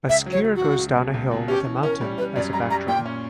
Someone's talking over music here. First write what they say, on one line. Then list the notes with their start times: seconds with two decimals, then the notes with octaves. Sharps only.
A skier goes down a hill with a mountain as a backdrop.
0.09 C#2 E5
0.26 F#3
0.32 C#5
0.44 F#3
0.56 F#4
0.61 C#2
0.79 C#2
0.96 B2
1.14 C#2
1.31 B2
1.48 C#4 G4
1.66 E3
1.83 C#4 A#4
2.01 G3
2.18 G3 B4
2.36 F#2 D5
2.53 G3 A#5
2.70 G3 A#5
2.88 A#2 G5
3.06 C#4